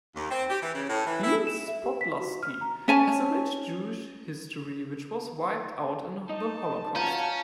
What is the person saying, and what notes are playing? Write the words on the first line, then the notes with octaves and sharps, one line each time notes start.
Bielsk Podlaski has a rich Jewish history which was wiped out in the Holocaust.
D#2
C4
G4
E3
C#3
A2
E3
E4
E7
E5
G4
B6
F#4
F6
A#5
C#4 G#5 A5
D#4 D#5 A5
C#4 F4 F#4 F5 A5 A#5 G6